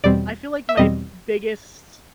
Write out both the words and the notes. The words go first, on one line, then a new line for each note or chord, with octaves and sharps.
I feel like my biggest
E2 B2 G3 C4 D5
E5
E2 B2 G3 C4 D#5